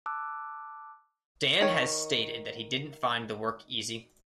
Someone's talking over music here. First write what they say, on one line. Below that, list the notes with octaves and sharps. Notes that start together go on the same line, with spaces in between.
Dan has stated that he didn't find the work easy.
A5 D6 E6 F#6
D#3 C#5